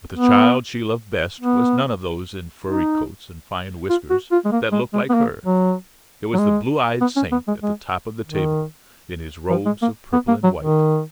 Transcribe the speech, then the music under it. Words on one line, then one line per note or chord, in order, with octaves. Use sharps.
But the child she loved best was none of those in furry coats and fine whiskers that looked like her; it was the blue-eyed Saint at the top of the table in his robes of purple and white.
B3
B3
D#4
F4
F#4
F4
G#3
A#3
G#3
G#3
B3
A#3
F#3
F#3
G#3
B3
C#4
B3
G#3
G#3
D#3
F3
G#3
A#3
B3
A#3
F#3
D#3